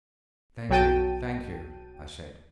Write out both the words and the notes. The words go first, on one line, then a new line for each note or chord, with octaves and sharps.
"Thank you, thank you," I said.
B1 F#3 F#4 G5 A5 D#7